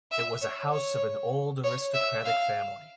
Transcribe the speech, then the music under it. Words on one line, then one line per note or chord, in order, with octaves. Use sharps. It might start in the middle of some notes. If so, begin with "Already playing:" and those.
It was a house of an old aristocratic family.
E5
C#5
C#5
C#5
E5
F5